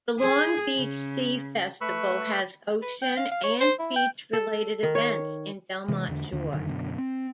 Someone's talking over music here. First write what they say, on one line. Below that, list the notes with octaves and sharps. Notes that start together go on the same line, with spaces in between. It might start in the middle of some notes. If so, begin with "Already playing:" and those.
The Long Beach Sea Festival has ocean- and beach-related events in Belmont Shore.
G#4
C#3
A3 B4 B5 C#6 E6
B4
G5
F5
F5
C#5
C5
E4
G5
A4
D#3
C#5
C3 E3 G#3
E2 D3
D#2 D3 D4
F1 F#2 D3 D#3
F#2 B2 D3
C4